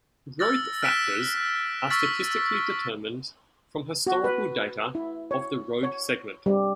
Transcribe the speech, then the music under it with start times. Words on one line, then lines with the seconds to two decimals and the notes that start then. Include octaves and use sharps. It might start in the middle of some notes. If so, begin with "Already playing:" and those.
Growth Factors are statistically determined from historical data of the road segment.
0.39 E6 F6 A6 A#6
0.83 F6 F#6 B6 D7 E7
1.90 C#6 E6 F6 A6 B6
4.07 F#4
4.24 B4
4.95 E4
5.31 C#5
5.83 C#5
6.46 G3